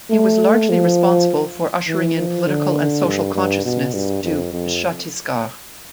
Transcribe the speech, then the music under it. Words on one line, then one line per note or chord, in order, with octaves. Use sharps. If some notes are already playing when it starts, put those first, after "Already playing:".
He was largely responsible for ushering in political and social consciousness to Chhattisgarh.
A3
F3
E3
F3
D3
G2
G2
B2
G2
F2
F2